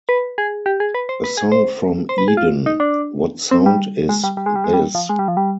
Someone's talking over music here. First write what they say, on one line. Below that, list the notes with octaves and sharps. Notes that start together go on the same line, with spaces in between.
A song from Eden, What Sound is This?
B4
G#4
G4
G#4
B4
C5
B4
G#4
C5
C5
B4
G#4
F4
D#4
D4
C4
G3
G#3
G3
G3
G#3
G3
G#3
G3
F3
G#3
G3
F3
G3